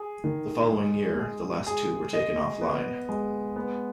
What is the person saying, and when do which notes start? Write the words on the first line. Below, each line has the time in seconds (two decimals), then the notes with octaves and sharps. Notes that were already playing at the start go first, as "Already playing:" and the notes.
The following year, the last two were taken off-line.
Already playing: G#4
0.24 D#3
0.71 G#3
1.20 G#4
1.67 G#4
2.13 D#5
2.61 B3
3.09 G#3
3.56 B3